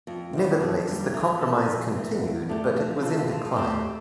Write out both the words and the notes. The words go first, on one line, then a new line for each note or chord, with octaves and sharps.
Nevertheless, the Compromise continued but it was in decline.
F2
C3 G3
F2
D3 G3 A#3
E3
A#3 D4 A4
F2
E3 A#3
E2
D3 A3 D4 G4
F3
C4 F4 A4
F3
A3 C4 G4